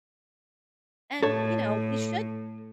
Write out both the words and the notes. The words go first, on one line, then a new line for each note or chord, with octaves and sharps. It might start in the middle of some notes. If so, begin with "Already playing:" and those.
and, you know, you should
A2 A4 C#5